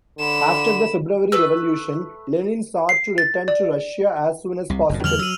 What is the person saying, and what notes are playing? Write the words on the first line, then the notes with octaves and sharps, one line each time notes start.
After the February Revolution Lenin sought to return to Russia as soon as possible.
D3 B5 E7
A3 B4 E6
C7
A6
D5
C2 C3
F#1 F#2 A#2
E2 D3 G3 F6 F7 F#7
F#3 E6 D#7